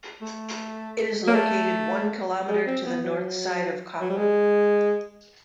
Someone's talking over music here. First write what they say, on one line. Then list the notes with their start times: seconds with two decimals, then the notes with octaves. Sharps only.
It is located one kilometer to the north side of koppal.
0.21 A3
1.28 A#3
1.34 A3
2.48 G#3
2.66 C4
2.86 B3
3.04 F#3
4.01 F#3
4.09 G3
4.17 G#3